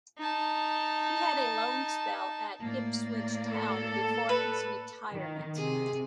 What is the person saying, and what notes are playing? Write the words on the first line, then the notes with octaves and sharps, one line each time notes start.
He had a loan spell at Ipswich Town before his retirement.
D#4 A5
A2 A#3 D5
A4
B4
D#3
C3 G#4